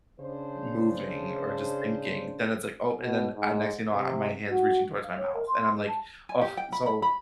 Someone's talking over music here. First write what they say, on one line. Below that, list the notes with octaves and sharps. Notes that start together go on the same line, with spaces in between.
moving or just thinking, then it's, like, "Oh", and then I next thing you know, uh, my hand's reaching towards my mouth, and I'm, like, "Ugh." So,
C#3 D4 C5
B2
G#2
C3
F#4
F5
C#5
A#4
C6
C6
G#4
A5
G#5
G4
G5
B5
B5
B5